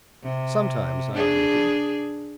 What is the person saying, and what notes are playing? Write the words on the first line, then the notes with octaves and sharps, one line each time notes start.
"Sometimes," I admitted.
C3
D4 G#4